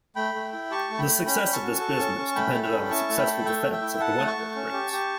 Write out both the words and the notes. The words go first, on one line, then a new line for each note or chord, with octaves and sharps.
The success of this business depended on the successful defense of the Wentworth grants.
A3 G5 B5
A3
E4
G4 A5 C#6
A3
G5 B5
A3
C#4 G5 B5
C#4
A5 C#6
F#4
A4
C#4
C#4
A3 G5 B5
A4
G5 B5
C#4
E4 A5 C#6
A3
G5 B5
A4
A3 E5 G5
A3
E5 G5
E4
A4 F#5 A5
A3
A5 C#6
A3
C#4
G4
G4